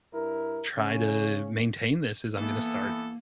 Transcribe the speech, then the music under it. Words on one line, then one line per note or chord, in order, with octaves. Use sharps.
try to maintain this, is I'm gonna start
G2 E4 A#4
C#3 C#4
E3 A#3 B3 A4